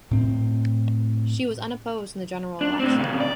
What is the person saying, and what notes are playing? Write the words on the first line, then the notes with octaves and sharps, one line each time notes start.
She was unopposed in the general election.
A2 C4
D4
A2 C4
A#2 C#3
D5